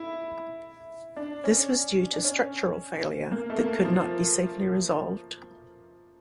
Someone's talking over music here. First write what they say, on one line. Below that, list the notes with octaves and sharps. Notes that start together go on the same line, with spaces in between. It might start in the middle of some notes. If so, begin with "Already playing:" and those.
This was due to structural failure that could not be safely resolved.
Already playing: E4
D4
C#4
D4
C#4
A#3
A3
A#3
F3